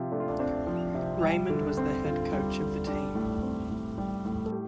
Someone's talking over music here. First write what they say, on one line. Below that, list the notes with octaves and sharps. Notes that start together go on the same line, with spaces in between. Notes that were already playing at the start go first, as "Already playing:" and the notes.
Raymond was the head coach of the team.
Already playing: C3 F3 F4 G4
A3 D4
F4
D4
C4 D4
F3
C3
G3
D3
C4
D3 F4
G3
D3
G3 D4
A2
C4
A2
G3
A2
A4
G4